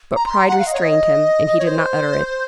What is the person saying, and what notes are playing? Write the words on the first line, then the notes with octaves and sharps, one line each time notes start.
But pride restrained him and he did not utter it.
A#5
C6
A#5
F#5
F5
D#5
C#5
D#5
D#5
C#5
C5